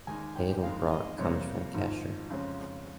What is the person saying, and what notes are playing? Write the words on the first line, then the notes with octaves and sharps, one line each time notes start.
Edelbrock comes from Gescher.
D#2 D#3 G#3 D#4 G#5
G5
F2 D#3 G#3 F5
D#5
F2 C3 G3 A#3 C#5
G#1 G#2 F3
F2 C#3 G#3 C#4